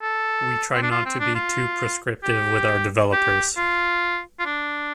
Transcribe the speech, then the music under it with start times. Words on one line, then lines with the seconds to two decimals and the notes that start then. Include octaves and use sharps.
We try not to be too prescriptive with our developers.
0.02 A4
0.74 C4
0.82 D4
0.91 F4
1.05 C4
1.20 D4
1.35 F4
2.23 G4
3.12 G4
3.57 F4
4.39 F4
4.46 D4